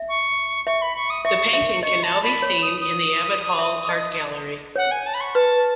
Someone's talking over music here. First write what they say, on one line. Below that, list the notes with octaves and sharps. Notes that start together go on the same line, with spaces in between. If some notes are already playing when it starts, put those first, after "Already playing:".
The painting can now be seen in the Abbot Hall Art Gallery.
Already playing: E5
C#6
E5 C#6
B5
C#6
D#6
E5 C#6
E5
D#5 C#6
A5
B5
C#5
D#6
D#6
E5
D#5
C#5 F#5
G#5
A5
B5
C#6
B4 A5